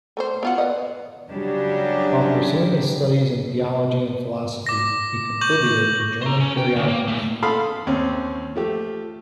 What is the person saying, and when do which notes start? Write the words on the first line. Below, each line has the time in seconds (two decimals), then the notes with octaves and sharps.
While pursuing his studies in theology and philosophy, he contributed to German periodicals.
0.17 A3 A#4 C5
0.43 B3 F4 F#4
0.58 B4 D5 D#5
1.30 C#3 F#3 G3 D4 G4
4.66 D6 A#6
5.41 C#6 G6 F#7
6.22 C5 A#5
6.40 C#4
6.58 G5
6.76 D2
6.88 A#3
7.08 A#2 A3
7.43 A4 F5 B5 C6 D#6
7.87 D#2 C4 C#4
8.55 F3 A3 G4